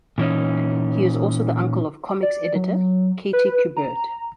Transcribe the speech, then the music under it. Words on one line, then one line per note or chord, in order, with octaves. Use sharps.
He is also the uncle of comics editor Katie Kubert.
A#2 E3 C#4 D#4
D5
F#3
B4
A#5